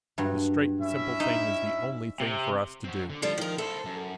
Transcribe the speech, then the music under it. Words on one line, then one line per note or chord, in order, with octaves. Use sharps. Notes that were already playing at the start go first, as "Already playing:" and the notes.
The straight and simple thing is the only thing for us to do.
G2 F#3
C#4 E4 E5
D#4
C3
C4 F#4
D3
D3 F3 G3 F4 C5
D#3 A#4
E4 A4 C5
F#2